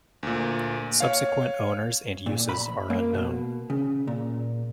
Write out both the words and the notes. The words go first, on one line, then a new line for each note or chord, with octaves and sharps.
Subsequent owners and uses are unknown.
D2 A#2
C#5 F5
A#2
B5
A#3
B2
C#3
A#2